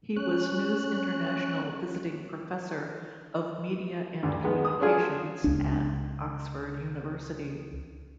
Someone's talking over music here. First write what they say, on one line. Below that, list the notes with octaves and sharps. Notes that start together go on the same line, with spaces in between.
He was News International Visiting Professor of Media and Communications at Oxford University.
C#4 F#6
D2 G2
D#3 G#3 B3
D#6
C#4 D4 F4 G#4 A4
C#2 D4